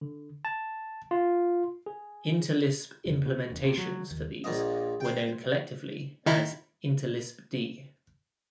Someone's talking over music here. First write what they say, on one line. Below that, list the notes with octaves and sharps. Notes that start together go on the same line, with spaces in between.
Interlisp implementations for these were known collectively as Interlisp-D.
D3
A5
F4
G#4
F1
B2
E1
C3
F#3
D#2
A#1 A#2 D#5
C5 G5
D#3 D#4 E4